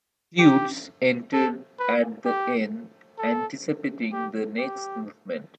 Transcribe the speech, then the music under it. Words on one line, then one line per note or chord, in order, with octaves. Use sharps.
Flutes enter at the end, anticipating the next movement.
G4
A4
B4
G4
A4
G4
G4